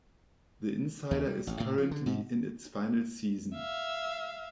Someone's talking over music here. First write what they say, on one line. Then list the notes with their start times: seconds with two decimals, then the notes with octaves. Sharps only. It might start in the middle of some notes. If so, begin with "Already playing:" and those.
"The Insider" is currently in its final season.
1.11 D#2
1.27 G3
1.47 A1
1.60 A2
1.78 F3
1.91 D3
2.06 G#2
3.55 E5 F5